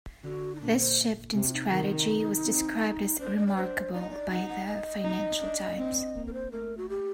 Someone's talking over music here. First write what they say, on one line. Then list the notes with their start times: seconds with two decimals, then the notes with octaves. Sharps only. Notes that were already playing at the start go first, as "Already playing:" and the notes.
This shift in strategy was described as "remarkable" by the "Financial Times".
0.24 D3 F#4
0.55 D#4
0.60 A#2 D4
0.79 C5
1.34 C3 G4
1.48 F#4
1.53 D#4
1.72 D#3 D#4
2.45 C4
3.19 D4 C5
3.37 D#5
3.47 D5
3.56 D4 C5
3.93 D#4 D5
4.02 D#5
4.10 D5
4.30 D#4 F#5
4.49 F#5
4.67 D#5
5.04 D#4
5.41 D4
5.78 C4
6.15 A#3
6.27 A#4
6.33 C5
6.52 A3 A#4
6.77 F#4
6.89 G4